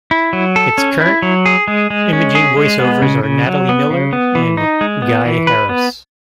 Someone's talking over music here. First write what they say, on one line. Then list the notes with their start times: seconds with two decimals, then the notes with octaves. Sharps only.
Its current imaging voiceovers are Natalie Miller and Guy Harris.
0.11 E4
0.33 F#3
0.56 A4
0.78 C#4
1.00 E4
1.22 F#3
1.46 G#4
1.68 G#3
1.90 G#3
2.13 C#4
2.35 G#4
2.57 G#3
2.79 B3
3.02 C#3
3.23 C#3
3.46 F#3
3.69 B3
3.91 C#3
4.13 B3
4.35 E3
4.57 D#4
4.81 G#3
5.02 B3
5.25 E3
5.47 B4
5.69 B3